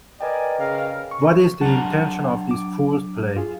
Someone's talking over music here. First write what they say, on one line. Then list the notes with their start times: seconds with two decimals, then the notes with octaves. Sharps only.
What is the intention of this fool's play?
0.21 A#4 B4 D5 D#5 G5 G#5
0.59 C#3 A#4 F5
1.11 C#6
1.61 C#2 F#3 D4 F#5 A5 A#5
2.51 D6
3.36 F4 G#4